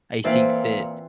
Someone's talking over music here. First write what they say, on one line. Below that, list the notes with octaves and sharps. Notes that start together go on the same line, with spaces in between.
I think that,
A#2 E3 A#3 C4 F4